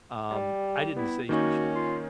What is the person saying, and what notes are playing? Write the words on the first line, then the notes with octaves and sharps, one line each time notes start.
um, I didn't say she should have.
G3
B3 E4
D#3 A#3 C#4 D#4 F#4
F4